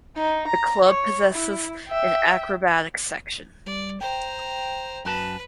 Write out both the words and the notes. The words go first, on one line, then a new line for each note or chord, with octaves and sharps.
The club possesses an acrobatics section.
D#4
A#5
C#5
E4
E5 G5
G3 D5
C5 G5 A#5
F#2 F#4 B4 A5